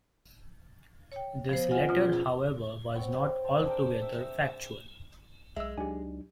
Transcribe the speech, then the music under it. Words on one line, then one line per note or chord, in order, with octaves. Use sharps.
This letter, however, was not altogether factual.
C#5 G5
F3 B3 C5
F4 D#5 F#5 G#5
B2 C#4 F4 B4
G#4
B3 C4 C#5 G5
C5 G5 A5
D4 G#4 A#4 G5
E5
B1 G#3 E5 E6
C#2 F#3 D4 D#4 G4 G#5